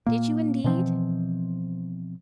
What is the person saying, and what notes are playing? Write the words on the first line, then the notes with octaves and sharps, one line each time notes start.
"Did you indeed?"
A#2 A#3
B2 E3 F3 C4